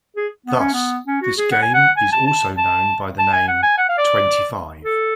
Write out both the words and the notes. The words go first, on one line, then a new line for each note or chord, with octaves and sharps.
Thus this game is also known by the name "Twenty-Five".
G#4
B3
C#4
B3
C#4
F#4
G#4
F#5
G#5
F#5
G#5
A5
A5
A5
A5
G#5
F#5
G#5
F#5
F5
D5
A4